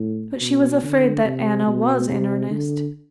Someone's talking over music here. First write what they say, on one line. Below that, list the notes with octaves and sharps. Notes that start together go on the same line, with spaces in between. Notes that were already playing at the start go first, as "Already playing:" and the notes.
But she was afraid that Anna was in earnest.
Already playing: A2
B2
D3
C3
B2
C3
D3